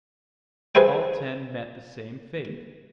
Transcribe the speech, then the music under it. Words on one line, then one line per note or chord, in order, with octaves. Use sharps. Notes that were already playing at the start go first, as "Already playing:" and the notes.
All ten met the same fate.
G#4 B4 C5 E5 G5